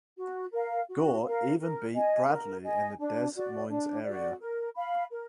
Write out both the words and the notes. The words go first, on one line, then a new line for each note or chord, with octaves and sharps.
Gore even beat Bradley in the Des Moines area.
F#4
A#4 F5
F#4
A#4 F5
A#4
D#5 G#5
A#4
D#5 G#5
D4
F#4 D5
D4
F#4 D5
A#4
F5 B5
A#4